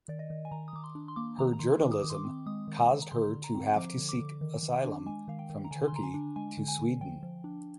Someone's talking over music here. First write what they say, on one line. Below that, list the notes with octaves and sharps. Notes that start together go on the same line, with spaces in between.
Her journalism caused her to have to seek asylum from Turkey to Sweden.
D#3 D5
D#5
D#3
G#5
D#3 A#5
D#6
D#3 D6
C6
D4
C6
A#3 D6
D#3 A#5
A#5
D#3 C6
D#3 D6
D#6
D#3 D6
C6
D6
C4
G#3 D#6
D#3
D#3
A#5
D3 C6
D3
A#5
C4
F3 D6
D3
D6
D3
D#3
D#3
D4
G#3 G#5
D#3 F5
G5
D#3
A#5
D3 G#5
C6
D3 A#5
G#5
D4
G#3 G#5
D3
G#5
D3
F3 G5
F3
D4